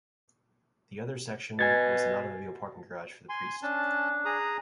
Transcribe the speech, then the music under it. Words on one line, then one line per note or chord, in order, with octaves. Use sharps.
The other section was an automobile parking garage for the priest.
B2 G#5 G#6 A6
G#5 C6
C#4 D4 A5
G#4 A#5 D#6